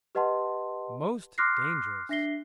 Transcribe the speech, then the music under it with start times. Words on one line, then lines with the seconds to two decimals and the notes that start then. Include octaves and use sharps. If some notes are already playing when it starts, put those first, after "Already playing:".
Most dangerous!
0.15 G4 B4 D#5 F#5 A5 C6
1.38 C6 D6 F6 F#6 A#6 C7
2.09 D4 E5 A#6 C7 G7